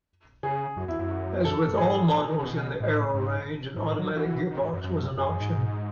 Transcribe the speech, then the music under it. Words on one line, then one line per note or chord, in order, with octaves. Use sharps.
As with all models in the Arrow range, an automatic gearbox was an option.
C#3 G#4
F#2 F#4
E2 E4
F#2 E4
F#4
A4
F#2
G#2 G#4
A2
B2
D#3
C#3
B2
A2
G#2
G#2
A2
F#3
E3 F#4
D#3
G#2
F#2
F#2
F#2 G#4
F#2
G#2